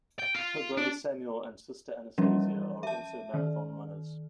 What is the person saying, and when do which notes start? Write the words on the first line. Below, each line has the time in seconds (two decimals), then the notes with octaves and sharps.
Her brother Samuel and sister Anastasia are also marathon runners.
0.19 G5
0.34 F4
0.78 D4
2.18 E3 F3 G3 C#4
2.83 E5 A5
3.34 D#3